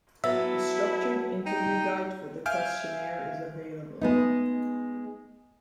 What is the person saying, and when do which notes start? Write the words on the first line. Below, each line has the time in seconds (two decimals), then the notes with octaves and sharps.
A structured interview guide for the questionnaire is available.
0.24 F#3 B3 E4 A4 E5
1.46 D#4 G5
2.46 E5 F5 G#5 F6 G6 D7
4.01 G#3 B3 D#4